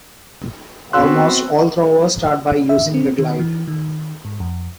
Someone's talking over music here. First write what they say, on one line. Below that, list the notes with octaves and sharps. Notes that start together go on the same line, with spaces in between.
Almost all throwers start by using the glide.
B3 C4 F#4 C6 E6 F#6
E5
C4
D#3
E3
D#3
G#2
F2